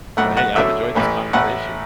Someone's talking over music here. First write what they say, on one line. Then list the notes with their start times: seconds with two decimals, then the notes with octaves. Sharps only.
But, hey, I've enjoyed this conversation.
0.17 B1 A2 A3 F#5
0.37 F#5
0.56 E2 D3 F#3 A3 E5
0.95 A1 A2 E3 A3
1.33 A1 A2 E3 A3 F#5